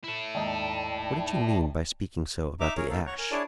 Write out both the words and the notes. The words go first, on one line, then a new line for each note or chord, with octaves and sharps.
"What did you mean by speaking so about the Ash?"
E4 A4
D#2 G#2 D#4 D5 G5 A5
D#4 E5 A#5 D6
G#4 A#4 C#5
A#3 D#4 A4
C#5 F#5 A#5 C#6
A#4 G#5
D4 E4 G#4 C#5 D5 A5